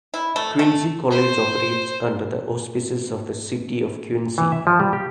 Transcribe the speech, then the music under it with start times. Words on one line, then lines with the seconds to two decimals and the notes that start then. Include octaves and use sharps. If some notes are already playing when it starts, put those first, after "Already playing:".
Quincy College operates under the auspices of the City of Quincy.
0.14 E4
0.36 A3
0.59 A3
1.11 C5
4.38 E3
4.52 E5
4.67 F3
4.80 G3
4.93 G4